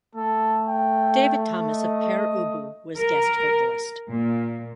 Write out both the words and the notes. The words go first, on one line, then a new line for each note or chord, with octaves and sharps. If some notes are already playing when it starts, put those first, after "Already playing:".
David Thomas of Pere Ubu was guest vocalist.
A3 A4
G5
D#5
A#4
A#2